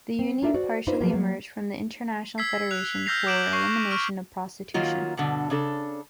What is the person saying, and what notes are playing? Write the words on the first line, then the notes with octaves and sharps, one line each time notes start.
The union partially emerged from the International Federation for Elimination of Prostitution.
C4
D#4 F4 A4 A#4 D5 E5
F#4 C5 D5
D4 D#4 F4 B4 C5
F3 F#3 G#3 A#3 B3
F#3 A#3
E6 G#6 B6 C7
F#6 F7
E6 F6 G6 A#6 C7 F7
D6 G6 D7 E7 F#7
C#6 C7
C#6 F6 D7
D#3 F#3 A#3 F4
G2 B2 D3
C#3 D4 A4